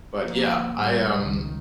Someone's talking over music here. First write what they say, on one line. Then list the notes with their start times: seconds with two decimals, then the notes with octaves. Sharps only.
But, yeah, I, um,
0.18 F3 A#3
0.76 A2 G3
1.20 C#2 D#3